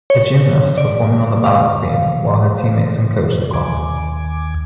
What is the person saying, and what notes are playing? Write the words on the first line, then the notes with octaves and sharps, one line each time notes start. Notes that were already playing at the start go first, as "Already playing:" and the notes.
A gymnast performing on the balance beam while her teammates and coach look on.
C#5
D5
F5
D#2 G#5 D6